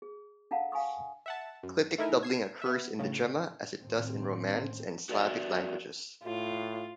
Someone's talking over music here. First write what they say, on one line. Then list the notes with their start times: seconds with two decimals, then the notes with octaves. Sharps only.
Clitic doubling occurs in Degema, as it does in Romance and Slavic languages.
0.02 G#4
0.51 D4 A4 F5 F#5 A5 A#5
0.72 F5 G#5 B5 C#6 D#6
1.26 E5 F#5 A5
1.63 F#2
1.98 A3 D#4 E4 A#4 E5 G#5
2.23 G#6 C7 E7
2.62 B3 E5
2.99 A2 C#3
3.80 D#2 A2 C4
5.09 F#4 A#4 D5 E5
6.24 A2 F4